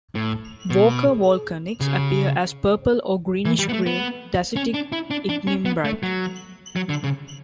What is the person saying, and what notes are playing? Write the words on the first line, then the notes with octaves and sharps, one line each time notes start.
Walker Volcanics appear as purple or greenish-grey dacitic ignimbrite.
A2
B2
C#3
E3
G3
B3
A3
B3
C#4
D4
E4
D4
D4
C#4
B3
A3
F#3
F#3
D3
C#3